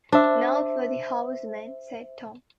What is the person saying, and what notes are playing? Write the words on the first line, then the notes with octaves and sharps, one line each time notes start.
"Now for the house, men," said Tom.
D4 C5 E5